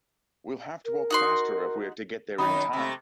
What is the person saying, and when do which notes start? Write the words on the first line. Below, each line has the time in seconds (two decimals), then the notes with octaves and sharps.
We'll have to walk faster if we are to get there in time.
0.85 A#4
1.10 D#4 F#4 C6
2.38 F#2 D#3 D#4 B5 D#6
2.73 C3 A3